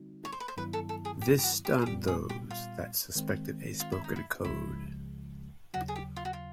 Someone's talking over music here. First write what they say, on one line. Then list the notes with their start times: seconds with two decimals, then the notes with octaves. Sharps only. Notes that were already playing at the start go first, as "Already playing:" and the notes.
This stunned those that suspected a spoken code.
Already playing: D3 G3 C4 D#4 F#4
0.25 C#5
0.32 C5
0.40 B4
0.48 C5
0.57 G2 D#3 F#3 B3 E4 B4
0.73 A4
0.89 A4
1.05 G#4
1.21 G4
1.38 G4
1.43 F#4
1.65 G4
1.82 G#4
1.86 A#2 G3 B3 G4
2.08 G#4
2.29 G4
2.51 F4
3.15 D#3 G#3 C4
3.80 F4
3.92 E4
4.04 D#4
4.16 E4
4.45 C#2 C#3 F3 G#3 E4
5.74 D#2 C#3 F#3 F#4
5.88 G#4
5.96 G4
6.16 F4
6.25 F#4
6.33 F4